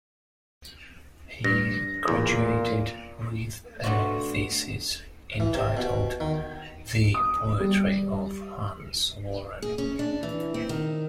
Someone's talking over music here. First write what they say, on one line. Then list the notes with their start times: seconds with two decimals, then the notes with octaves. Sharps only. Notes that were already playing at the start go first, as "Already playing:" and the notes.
He graduated with a thesis entitled 'The Poetry of Hans Warren'.
1.44 G2 A#6
2.08 E2 A#2
3.84 B2 A3 D4 F4 F#4
5.40 E3
5.55 C3
5.77 B2
6.20 D#3
7.14 D#6
7.60 G3
9.62 G#4
9.78 C#4
9.99 D4
10.23 E3
10.54 C4
10.69 D#3